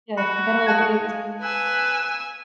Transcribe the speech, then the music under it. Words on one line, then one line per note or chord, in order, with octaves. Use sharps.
Yeah, I forget all the names.
F#4 B5
G#3 F5 A5 G#6
B4 G#5 E6